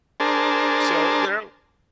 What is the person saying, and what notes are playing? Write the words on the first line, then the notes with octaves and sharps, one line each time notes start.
So, there
D4 G#4 A#4 C5 A5